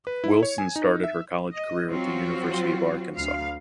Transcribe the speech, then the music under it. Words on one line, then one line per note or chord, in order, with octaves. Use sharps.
Wilson started her college career at the University of Arkansas.
B4
E4
C#5
G#5
D#4
E5
D#5
F#3 C4 F4 F#4
D2 F5